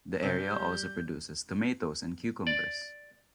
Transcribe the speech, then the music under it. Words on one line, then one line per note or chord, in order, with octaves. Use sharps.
The area also produces tomatoes and cucumbers.
C3 G3 G4 G6
D5